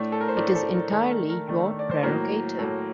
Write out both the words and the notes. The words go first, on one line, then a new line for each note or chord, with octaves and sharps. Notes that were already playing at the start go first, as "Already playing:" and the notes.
It is entirely your prerogative.
Already playing: A2 A3 D4
A4
A#4
C5
A2 A3 D4 A#4 D5
A4 C5
A#4
D#3 A3 D4 A4
A#4
A#4
D#3 A3 D4
D5
C5
A2 F#3 A#3 A#4
A2 F#3 A#3 A4